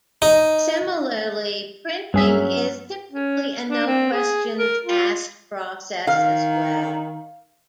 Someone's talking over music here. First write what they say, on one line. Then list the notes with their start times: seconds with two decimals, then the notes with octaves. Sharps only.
Similarly, printing is typically a 'no questions asked' process, as well.
0.22 D#4
2.14 G2 F#3 C#4 G#4 E5
3.10 C#4
3.70 D4
3.86 C4
4.13 G#4
4.59 A#4
4.85 F4
6.07 D#3 F5